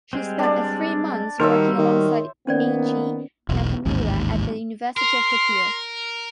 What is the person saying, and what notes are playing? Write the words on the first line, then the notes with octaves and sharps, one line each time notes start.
She spent three months working alongside Eiichi Nakamura at the University of Tokyo.
G3 G#3 C4
D4 D5
D#3 G3 F#4 A#4 C5 C#5 E5
D#3
D#3 A#3 B3 C#4 C5 D5
E1 B1
A1 D#2 G#2
A#4 C6